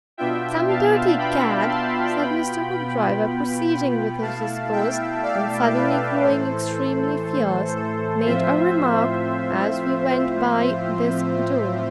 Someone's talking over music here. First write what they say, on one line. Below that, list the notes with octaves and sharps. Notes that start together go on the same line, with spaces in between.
"Some dirty cad," said Mr. Hoopdriver, proceeding with his discourse, and suddenly growing extremely fierce, "made a remark as we went by this door."
B2 B3 D4 F4 E5 G5
F5 A5
G5 B5
A5 C6
B2 B3 F4 G5 B5
G5 B5
B2 A3 E4 F5 A5
E5 G5
D5 F5
B4 D5
A2 E3 A3 A4 C5
A4
A4
A2 F3 C4 F4 C5 E5